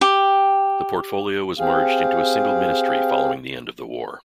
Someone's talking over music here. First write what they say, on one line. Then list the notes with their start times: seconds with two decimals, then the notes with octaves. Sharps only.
The portfolio was merged into a single ministry following the end of the war.
0.01 G4
1.59 C4 G4 G#4 F5